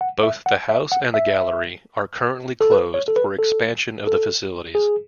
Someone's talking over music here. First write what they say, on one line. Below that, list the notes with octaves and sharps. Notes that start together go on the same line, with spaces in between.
Both the house and gallery are currently closed for expansion of the facilities.
F#5
E5
F#5
E5
F#5
E5
A4
B4
C#5
A4
B4
A4
A4
G#4